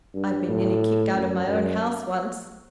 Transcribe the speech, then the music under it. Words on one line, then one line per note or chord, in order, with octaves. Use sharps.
I've been nearly kicked out of my own house once.
G2
A2
F#2
F#2